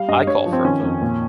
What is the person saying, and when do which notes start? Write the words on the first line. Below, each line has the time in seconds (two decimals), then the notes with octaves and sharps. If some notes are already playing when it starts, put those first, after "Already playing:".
I call for a vote.
Already playing: G3 F5
0.08 G2 D#5
0.27 G2 C#5
0.46 F3
0.52 C4
0.64 D#3 C#4
0.83 F2
1.02 A#2